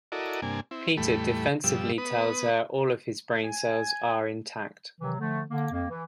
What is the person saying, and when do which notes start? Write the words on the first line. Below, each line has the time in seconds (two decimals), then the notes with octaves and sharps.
Peter defensively tells her all of his brain cells are intact.
0.12 E4 F#4 A4 A#4 D5 D#5
0.42 G2 C3 A#3 D4 G#5
0.71 C4 E4
0.97 E2 A2 G3 A3 B5
1.64 G2 B2 F3 G3 E6
1.98 B3 B4 D#6
3.44 G#5
5.01 C3 D#3 E3 F#3
5.17 D3 F3 A3
5.50 D3 A#3
5.71 F2 A#3
5.89 E3